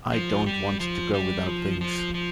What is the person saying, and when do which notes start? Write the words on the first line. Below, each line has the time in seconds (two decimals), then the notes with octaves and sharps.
I don't want to go without things.
0.13 F3
0.46 G3
0.80 F3
1.13 G3
1.47 F3
1.81 F3
2.14 F3